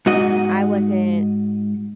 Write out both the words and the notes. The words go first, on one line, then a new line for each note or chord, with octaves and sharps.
I wasn't
G#2 F#4 D#5